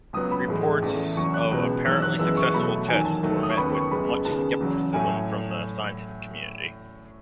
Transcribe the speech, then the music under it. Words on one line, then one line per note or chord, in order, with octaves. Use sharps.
Reports of apparently successful tests were met with much skepticism from the scientific community.
C#2 C#3 F#3 B3 D#6
B5
A2 E3 G#3
E2 C#3 E3 A3
E2 C#3 F#3 C#6
F#6
C#2 B2 G#3 B3
E2 D#3 F#3 E6
F#6
F#2 E3 G#3 B3 E6
C#6
B2 F#3 A3 B5
E2 D#3 F#3 G#5
A5
D#2 D#3 F#3 A3
D#6
C#6
D#2 C#3 F#3 B3 B5
C#6
F#2 C#3 G#3 B3 B5
A5
D#2 C#3 G#3 B3 A5
E2 C#3 F#3
A2 F#3 A3 G#5